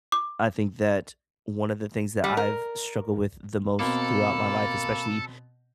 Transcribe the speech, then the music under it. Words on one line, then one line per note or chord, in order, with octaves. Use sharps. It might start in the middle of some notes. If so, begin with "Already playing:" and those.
I think that one of the things that I've struggled with the most throughout my life, especially
D6
G3
A#4
B2 A#3 C4 A4 B5